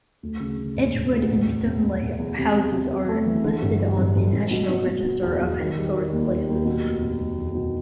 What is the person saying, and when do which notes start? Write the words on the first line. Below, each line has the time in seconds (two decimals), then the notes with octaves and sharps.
Edgewood and Stoneleigh houses are listed on the National Register of Historic Places.
0.23 D2
0.40 C#3
0.58 C#3
0.76 E1
0.94 E1
1.12 D2
1.30 E1
1.48 E1
1.65 E1
1.83 E1
2.01 E1
2.19 E2
2.37 C3
2.55 C3
2.72 C3
2.90 C3
3.09 A3
3.26 E3
3.44 D3
3.62 G1
3.80 G3
3.98 G1
4.16 G1
4.33 G1
4.51 B2
4.69 B2
4.87 B2
5.05 B2
5.23 E2
5.41 E2
5.59 D#3
5.77 G3
5.95 D#3
6.12 D#2
6.30 G3
6.48 D#2
6.65 B2
6.84 F1
7.02 B2
7.20 F1
7.37 E2
7.55 B2